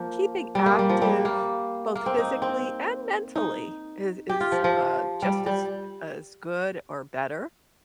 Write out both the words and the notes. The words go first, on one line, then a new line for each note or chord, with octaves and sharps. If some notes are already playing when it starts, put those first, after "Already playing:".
keeping active, both physically and mentally is is, uh, just as as good or better,
Already playing: F3 A#3
G3
A#3
G3
F3
G3
A#3
A#3
C4
D#4
C4
D#4
G4
F4
F3
F3
G3
G3